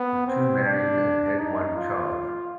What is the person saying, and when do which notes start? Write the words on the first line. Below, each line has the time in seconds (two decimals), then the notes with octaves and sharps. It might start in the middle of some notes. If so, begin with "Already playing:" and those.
The two married and had one child.
Already playing: B3
0.27 C4
0.64 D4
1.39 D#4
1.76 F4